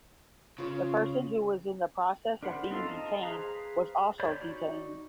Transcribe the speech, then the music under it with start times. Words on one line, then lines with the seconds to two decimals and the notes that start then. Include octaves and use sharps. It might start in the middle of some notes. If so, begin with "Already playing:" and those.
The person who was in the process of being detained was also detained.
0.58 C#3 F4 C#5
2.43 D4 A#4 C5 F#5 B5
2.71 C4 D#4 F4 A4 F5
2.87 D#5 A5 A#5
3.23 G#4 B4 C5 F5 A#5
4.20 C#5 D5 B5 G6
4.41 D#4 F#4 D5